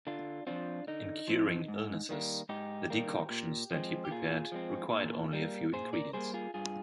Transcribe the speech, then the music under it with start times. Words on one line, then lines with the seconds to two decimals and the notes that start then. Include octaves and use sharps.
In curing illnesses, the decoctions that he prepared required only a few ingredients.
0.07 D3 D4 F4
0.47 F3 C4 D4 F4
0.87 D3 D#4
1.28 F3 C4
1.68 G#2
2.09 D#3 G3 A#3
2.49 G#2 D#4 G4
2.90 D#3 G3 A#3
3.30 A#2
3.71 F3 G#3 C4
4.05 G4
4.11 A#2 F4 G#4
4.52 F3 G#3 C4
4.92 A#2
5.33 G3 A#3
5.73 A#2 G#4 C5
5.93 A#4 D5
6.13 G3 A#3 G#4 C5
6.34 F4 G#4
6.54 G2 F4 G#4